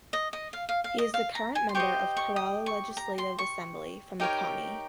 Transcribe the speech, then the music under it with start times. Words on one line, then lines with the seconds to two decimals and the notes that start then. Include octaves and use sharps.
He is the current member of Kerala Legislative Assembly from the Konni.
0.13 D#5
0.33 D#5
0.53 F5
0.69 F5
0.84 F5
0.98 D#5
1.14 F5
1.35 A#5
1.55 G#5
1.69 C6
1.75 G4 C5 D#5 C#6
2.17 C#6
2.36 D#6
2.66 C#6
2.97 A#5
3.18 C6
3.39 C#6
4.20 D#4 G4 A#4 C#5